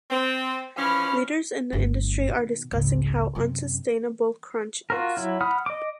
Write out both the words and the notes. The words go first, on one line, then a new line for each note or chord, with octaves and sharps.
Leaders in the industry are discussing how unsustainable crunch is.
C4
E3 F3 C#4 B5 F6
G1 D2
B2 D#3
G#1 C#2
F#2 C3
F4 F#4 A#4
F#3 E4
F#5 B5 D#6 F6
D#5 D6